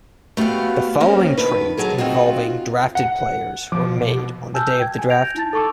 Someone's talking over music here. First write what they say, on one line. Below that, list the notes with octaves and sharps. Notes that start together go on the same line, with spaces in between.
The following trades involving drafted players were made on the day of the draft.
A3 B3 F#4 G4 F5
A#3 C4 C#4
D3 D#3 B4
F#3 G#4 A4
C4 D#4 F4 F#4
F#5
F3 D6
B2
G#5 A5 E6 F6 G6
G5 G#6
G#5
G6 G#6 A#6 D7 F7
D#4 E4 A5 A6
A4 A5 C#6 D6 E6